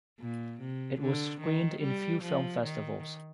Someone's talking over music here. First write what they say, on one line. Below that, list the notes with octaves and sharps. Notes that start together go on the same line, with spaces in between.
It was screened in few film festivals.
A#2
C3
D3
D#3
G3
F3
D#3